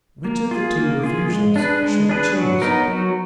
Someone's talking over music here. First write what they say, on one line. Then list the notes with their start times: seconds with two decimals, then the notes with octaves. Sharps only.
Which of the two refusals should he choose?
0.25 A#3
0.51 F4 G#4
0.77 A#3
1.03 F4 G#4
1.30 G#3
1.56 D4 G#4 B4
1.83 G#3
2.09 D4 G#4 B4
2.36 F#3
2.62 B3 D#4 A#4
2.88 F#3